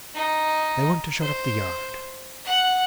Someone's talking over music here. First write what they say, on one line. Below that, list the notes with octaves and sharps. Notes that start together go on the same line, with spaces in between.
'They want to shut up the yard.'
D#4
C5
F#5